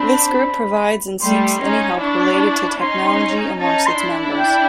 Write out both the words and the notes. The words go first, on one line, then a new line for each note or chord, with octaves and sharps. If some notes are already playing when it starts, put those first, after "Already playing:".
This group provides and seeks any help related to technology amongst its members.
Already playing: C4 D4 B5
G3 A3 C6
C#4 D#4
D4 E4 C#6
C#4 D#4 C6
C6
C#4 D#4 A5
C6
D4 E4
G5